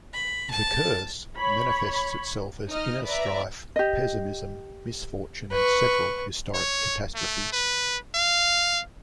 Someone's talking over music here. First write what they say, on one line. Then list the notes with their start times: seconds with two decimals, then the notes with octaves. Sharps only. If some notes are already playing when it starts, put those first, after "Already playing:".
The "curse" manifests itself as inner strife, pessimism, misfortune and several historic catastrophes.
0.14 B5
0.50 A5
1.36 C#5 B5
2.69 D#4 D#5 F6
3.03 B4 D5 E5 A#5
3.76 G4 D#5
5.52 B4 C#6
6.54 C#5
7.15 A3
7.53 B4
8.15 F5